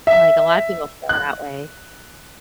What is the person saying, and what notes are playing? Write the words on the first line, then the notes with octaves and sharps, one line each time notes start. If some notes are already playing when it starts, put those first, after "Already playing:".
Like, a lot of people feel that way.
E5
F#6